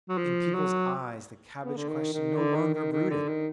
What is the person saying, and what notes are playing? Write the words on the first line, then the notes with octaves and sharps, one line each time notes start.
In people's eyes the cabbage question no longer brooded.
F#3
F3
F#3
B3
D3
D#3
D#3
D3
D#3
D#3
D#3
D3
D#3